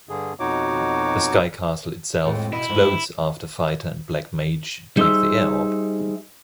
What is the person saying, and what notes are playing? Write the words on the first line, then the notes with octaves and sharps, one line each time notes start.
The Sky Castle itself explodes after Fighter and Black Mage take the Air Orb.
G2 D3 G#4
F2 B2 D#4 F#4 C#5 D6
F2 A2 G#3
B2 E4 D#5
F2 G#2
G3 D#4 G#4 C5 E5